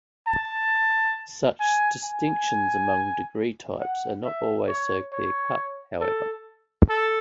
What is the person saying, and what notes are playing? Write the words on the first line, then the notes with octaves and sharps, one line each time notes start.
Such distinctions among degree types are not always so clear-cut, however.
A5
G#5
G#5
F#5
E5
C#5
C#5
A4
A4